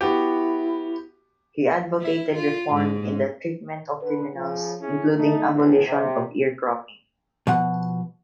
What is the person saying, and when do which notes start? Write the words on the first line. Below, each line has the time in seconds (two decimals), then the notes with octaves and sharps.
He advocated reform in the treatment of criminals, including abolition of ear cropping.
0.01 B3 E4 F#4 G4
2.01 E4
2.35 F4
2.73 G#2
4.02 D3 B4
4.35 C#3 F3
4.80 C#4 E4 G#4
5.15 A3 D#4
5.54 E2 A2
5.86 C3
7.47 B2 F3 F#5